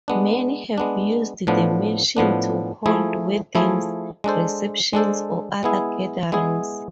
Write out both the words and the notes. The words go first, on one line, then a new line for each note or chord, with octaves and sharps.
Many have used the mansion to hold weddings, receptions, or other gatherings.
G#3 B3 D4
G#3 B3 D4
A2 F3 B3 D4
A2 F3 B3 D4
F3 A3 E4 G#4
F3 A3 E4 G#4
G#3 D4 A4 C5
G#3 D4 A4 C5
G#3 B3 E4 G#4
G#3 B3 E4 G#4